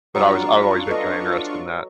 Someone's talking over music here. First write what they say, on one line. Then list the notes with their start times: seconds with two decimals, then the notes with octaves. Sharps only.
But I was I've always been kinda interested in that.
0.15 F#3 D4 F4 C#6
0.87 A4 B4 D#5